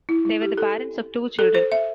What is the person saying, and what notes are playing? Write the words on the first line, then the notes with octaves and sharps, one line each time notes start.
They were the parents of two children.
E4
E4
G4
A4
A4
C5
E5